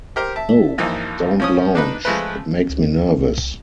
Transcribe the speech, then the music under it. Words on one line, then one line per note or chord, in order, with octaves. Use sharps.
No, don't lounge, it makes me nervous.
G4 A#4 C5
E5 A5
G2 E3 F3 A#3 D#4
F3 C#4 D#6
D4 D#4 B4
F3 G#3 A3 B4
C#2
D#2
C2